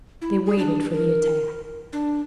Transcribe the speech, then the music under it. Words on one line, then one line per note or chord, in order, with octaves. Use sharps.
They waited for the attack.
E4
G#4
D4
A#4
D4